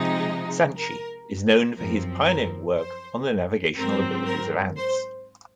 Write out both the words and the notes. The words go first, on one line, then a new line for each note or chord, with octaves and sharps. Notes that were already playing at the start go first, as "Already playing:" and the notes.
Santschi is known for his pioneering work on the navigational abilities of ants.
Already playing: C3 F3 G#3 D#4
A#4
F#2 F3 C4 A#4
A#4
C5
G#2 F#3 C4 A#4
A#4
C5